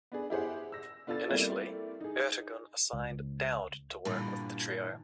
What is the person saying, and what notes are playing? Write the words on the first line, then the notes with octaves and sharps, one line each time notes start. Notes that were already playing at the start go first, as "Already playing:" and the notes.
Initially, Ertegun assigned Dowd to work with the trio.
B3 D4 G#4
E4 G4 G#4 C5 F#5
E6 A#6
B3 D4 F4 A4 E6 A6
G3 A3 A#3 C4 E4 F4
D#4 G#4
C#2
G2 A#2 D3 E3